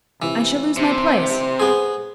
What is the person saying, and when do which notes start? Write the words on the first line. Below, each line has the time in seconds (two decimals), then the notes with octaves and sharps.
'I shall lose my place.
0.22 C3 E3
0.77 C3 C5
1.60 B3 G#4